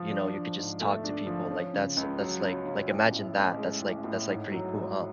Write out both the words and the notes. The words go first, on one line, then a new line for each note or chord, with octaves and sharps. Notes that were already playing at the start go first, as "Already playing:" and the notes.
you know, you could just talk to people, like that's that's like like imagine that, that's like that's like pretty cool, huh,
Already playing: F3
D4
F3
G#2
A3
D4
F3
C#4
C#3
C#2
F#3
C#4
C#3
A1
A2
A1
G#3
A1
A2
G#2
F#3
G#2